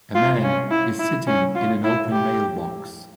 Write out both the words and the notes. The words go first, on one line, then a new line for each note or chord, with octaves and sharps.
A man is sitting in an open mailbox.
F4
C#4
E4
E4
C#4
F4
E4
G4